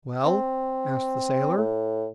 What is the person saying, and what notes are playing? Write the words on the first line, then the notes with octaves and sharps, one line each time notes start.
"Well?" asked the sailor.
C4
A2